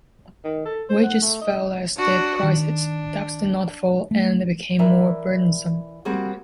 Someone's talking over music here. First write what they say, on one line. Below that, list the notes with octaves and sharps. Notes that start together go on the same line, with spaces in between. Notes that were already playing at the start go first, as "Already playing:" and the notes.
Wages fell as did prices; debts did not fall and they became more burdensome.
D#3
A4
C5
F#5
A3
D#5
D4 F#4
D#3 D4
A3
E3 A#4 D5 E5
G3 A#3 C4 F#4 G#4